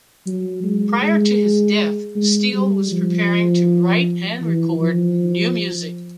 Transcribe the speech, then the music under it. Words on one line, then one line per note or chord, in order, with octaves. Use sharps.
Prior to his death, Steele was preparing to write and record new music.
F#3
G#3
G#3
G#3
G3
F3
E3
F3